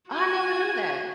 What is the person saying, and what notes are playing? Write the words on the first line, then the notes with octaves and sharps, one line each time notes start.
I never knew that.
F#4 G#5